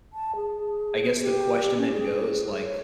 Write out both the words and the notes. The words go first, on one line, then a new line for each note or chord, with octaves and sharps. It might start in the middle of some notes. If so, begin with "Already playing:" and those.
I guess the question then goes, like,
A5
G#4
G4
C#4
G#4
C#5